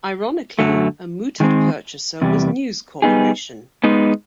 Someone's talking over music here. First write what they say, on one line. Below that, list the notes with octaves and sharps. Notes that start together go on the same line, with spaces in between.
Ironically, a mooted purchaser was News Corporation.
F#2 D3 F#3 A3
D#3 G#3 C4
E2 C3 G3
G3 B3 D#4 G#4
G#3 B3 D#4